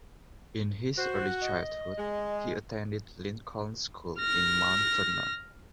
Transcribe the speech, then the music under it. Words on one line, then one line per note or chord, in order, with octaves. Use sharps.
In his early childhood he attended Lincoln School in Mount Vernon.
F#4 C5
D#5
G#3
F6 A#6